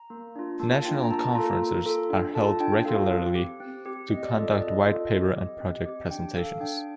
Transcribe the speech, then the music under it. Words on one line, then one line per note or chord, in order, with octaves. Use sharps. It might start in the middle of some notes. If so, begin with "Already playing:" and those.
National conferences are held regularly to conduct white-paper and project presentations.
Already playing: A#5
A#3
D4 F4
A#3 A5
D4 F4 G5
A#5
A#3 A5
F4 A4 A#5
A#3
F4 A4
D4
A4 A5
F4
D4 G5
G5
F4 A4 F5
C4
G4
C4
G4
C4 D#5
D5
F4 A4 D#5
D5
C4 D#5
F4 A4
C4
G4
C4
G4
D4 G5
A4 F5
D4 G5